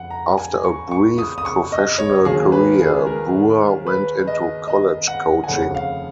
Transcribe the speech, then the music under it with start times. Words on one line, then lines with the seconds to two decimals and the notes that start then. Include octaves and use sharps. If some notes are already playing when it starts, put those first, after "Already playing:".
After a brief professional career, Brewer went into college coaching.
Already playing: F2 F#5
0.10 A#5
0.38 G#5
0.64 C#6
0.91 C#6
1.18 D#6
1.38 D#6
1.45 C#6
1.72 D#5
1.98 C#5
2.25 D#2 D#3 F#3 A#3 G#4
2.52 B4
2.80 G#4
3.07 A#4
3.87 B4
4.27 D#5
4.68 D#5
5.08 F#5
5.44 G#5
5.48 F1 D#2 C#3 F#5
5.75 F5